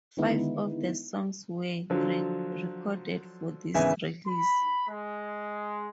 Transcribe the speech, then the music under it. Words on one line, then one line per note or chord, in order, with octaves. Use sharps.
Five of the songs were re-recorded for this release.
D3 D#3 G#3 B3 D#4 E4
D3 F3 F#3
G#1 C#3 E3 B3 E5 G#5
B5
G#3